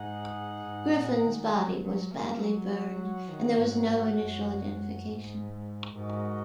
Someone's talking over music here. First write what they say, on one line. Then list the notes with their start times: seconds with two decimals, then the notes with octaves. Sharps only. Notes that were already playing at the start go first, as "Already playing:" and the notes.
Griffin's body was badly burned and there was no initial identification.
Already playing: G#2 D#4 G#4 F#5
0.66 G#2
0.95 A#2
1.25 D#3
1.53 F#3
1.84 F#3
2.13 A#3
2.42 F#3 F#4 C#5 F#5
3.30 D#3
3.59 G#2
3.88 G#2
4.18 F#2
5.06 G#2
5.93 G#2 F#4 A#4 D#5